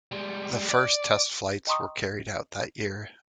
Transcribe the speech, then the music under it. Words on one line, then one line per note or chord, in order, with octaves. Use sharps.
The first test flights were carried out that year.
G3 G#3
D5
D#5 G5 A#5 C6 C#6 D#6